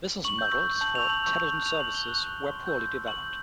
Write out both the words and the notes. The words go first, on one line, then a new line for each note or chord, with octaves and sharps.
Business models for Telidon services were poorly developed.
C#6 F#7
E6 G6
C#6
E6 G6
A5 F#7
C#6 E6 G6 F7
A5 F#7
C#6 E6 G6
C#6
F#6
C#6 F7
F#6 F#7
C#6 G7
F#6
C#6
F#6
C6
E6 G6
C6
E6 G6
C#6 F#7
E6 G6